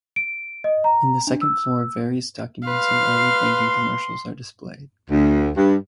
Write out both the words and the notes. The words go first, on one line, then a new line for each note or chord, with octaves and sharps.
In the second floor various documents and early banking commercials are displayed.
D7
D#5
A#5
D4
E6
B4 F5 C6
D2
G2